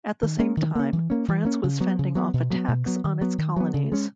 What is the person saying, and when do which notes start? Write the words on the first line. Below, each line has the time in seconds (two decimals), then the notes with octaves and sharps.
At the same time, France was fending off attacks on its colonies.
0.23 D#3
0.40 A#3 C#4
0.57 D#3
0.75 A#3 C#4
0.93 E3
1.10 A#3 C#4
1.28 E3
1.45 A#3 C#4
1.64 C#3
1.81 F#3 B3
1.99 C#3
2.15 F#3 B3
2.34 B2
2.50 F#3 B3
2.68 B2
2.86 F#3 B3
3.04 D#3
3.21 F#3 B3
3.38 D#3
3.56 F#3 B3
3.74 C#3
3.92 G#3 C#4